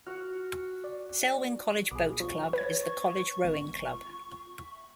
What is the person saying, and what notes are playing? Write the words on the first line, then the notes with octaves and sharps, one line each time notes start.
Selwyn College Boat Club is the college rowing club.
F#4 F#5 F6
D5
B1 B3 G#4 D6
F3 C#6
B4 C#5 G#6
C#6
G#1